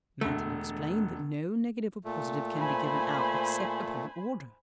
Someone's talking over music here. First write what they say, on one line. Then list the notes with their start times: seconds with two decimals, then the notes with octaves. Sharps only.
Manton explained that no negative or positive can be given out except upon order.
0.21 E1 D3 A3
2.05 A#2 A3
2.56 C5 G#5 B5